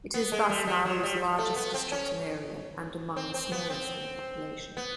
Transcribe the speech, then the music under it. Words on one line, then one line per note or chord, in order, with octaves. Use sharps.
It is thus Nauru's largest district in area, and among the smallest in population.
B3
G#3
G3
G3
F#3
G3
A3
B3
C4
C#4
C4
C4
B3
C4
B3